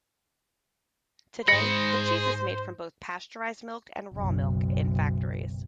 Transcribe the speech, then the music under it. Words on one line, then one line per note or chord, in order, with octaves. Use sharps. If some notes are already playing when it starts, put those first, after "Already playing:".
Today, the cheese is made from both pasteurized milk and raw milk in factories.
G#2 G#4 C5 B5 A#6 C#7
F#1 B1